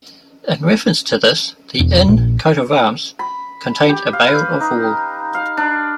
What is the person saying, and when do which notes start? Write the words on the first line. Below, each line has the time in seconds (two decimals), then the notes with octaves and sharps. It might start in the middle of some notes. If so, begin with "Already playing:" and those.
In reference to this, the Inn coat of arms contained a bale of wool.
1.80 E1
2.08 A#1
3.19 B5
3.89 G4
4.13 F5
4.27 B4
4.60 D#4
5.35 F5
5.57 D4